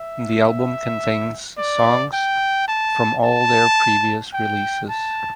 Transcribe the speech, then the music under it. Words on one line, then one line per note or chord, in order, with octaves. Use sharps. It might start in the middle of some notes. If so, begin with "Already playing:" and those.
The album contains songs from all their previous releases.
Already playing: E5
D5
G5
A5
A5
G5
A5